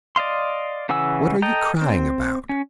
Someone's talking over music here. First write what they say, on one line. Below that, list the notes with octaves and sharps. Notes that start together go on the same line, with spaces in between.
"What are you crying about?"
D5 D#5 F5 C6
C#3 E3 F#5 G#5 E6
A4 D#5 G5 A#5
C4
C#4